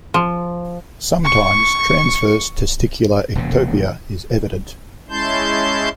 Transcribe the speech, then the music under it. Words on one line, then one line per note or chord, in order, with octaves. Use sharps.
Sometimes, transverse testicular ectopia is evident.
F3
C#6 C#7
E1 A#2 C#3
G#3 C#4 E4 A5 C6 G6